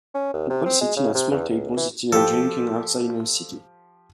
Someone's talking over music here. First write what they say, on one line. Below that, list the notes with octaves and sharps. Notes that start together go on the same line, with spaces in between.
People sitting at small tables eating and drinking outside in a city.
C#4
D#2
C3
C4
G#3
C#3
C3
E2
C#2
E3
F3 G4 A4 G5